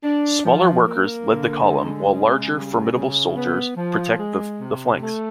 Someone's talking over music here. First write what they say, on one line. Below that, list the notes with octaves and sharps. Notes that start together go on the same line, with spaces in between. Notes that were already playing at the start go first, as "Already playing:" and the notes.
Smaller workers lead the column, while larger, formidable soldiers protect the flanks.
D4
F3
A#3
D3
G#3
C#3
G3
C#3
B3
F3
G#3
C3
A3